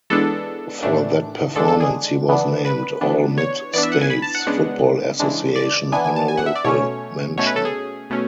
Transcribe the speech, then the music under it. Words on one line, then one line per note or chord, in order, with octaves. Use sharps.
For that performance, he was named All-Mid-States Football Association honorable mention.
E3 G#3 B3 D4 A4
A2 E3 A3 D4
D3 G#3 D4 A4
A4
G#4
E3 B3 D4
B4
E3 B3 D4
C#5
E3 B3 D4 D5
E5
F#5
G#5
B5
A5
F#5
C#3 G#3 B3 D4
C#3 E3 G#3 D4
D5
E3 B3 D4 G#5
G#5
A5
G#5
F#5
E5
D5
B2 A3 C#4 C#5
B2 A3 C#4 C#5
B4
A4
G#4
B2 A3 C#4